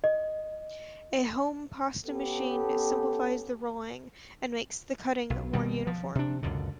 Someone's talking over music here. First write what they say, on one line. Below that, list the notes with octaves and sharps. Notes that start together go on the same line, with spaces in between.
A home pasta machine simplifies the rolling, and makes the cutting more uniform.
D#5
B3 C#4 G4 A4
B1
B2 D#3 G3
F3
C3 D4
C#2 F#2 B2 D3